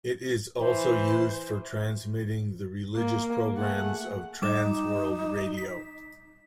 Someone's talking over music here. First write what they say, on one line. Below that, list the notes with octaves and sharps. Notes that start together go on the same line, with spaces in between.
It is also used for transmitting the religious programmes of Trans World Radio.
E3 C5
A#3
A3 G#4 F#5
G3 D#4 D6 E7
B6